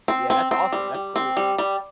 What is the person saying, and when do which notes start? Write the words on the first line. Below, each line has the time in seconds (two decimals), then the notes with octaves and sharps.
Yeah, that's awesome. That's cool.
0.08 C4
0.30 C4
0.51 C4
0.73 G3
0.94 G3
1.16 C4
1.37 G3
1.58 G3